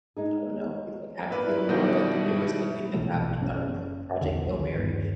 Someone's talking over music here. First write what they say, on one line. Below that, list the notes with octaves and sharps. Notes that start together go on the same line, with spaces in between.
I don't know, movie like Happy Gilmore, like, the newest, like, thing that's happening I don't know, Project Hail Mary,
G#3 D#4 G#4
B3 F4 A#4 B4 D5 E5
E4
B2 D#3 G3 D4 F4 G6
A#1 B2 E3 A3
F#1 C#4
A#1 E2 D3
D#2
G1 D#2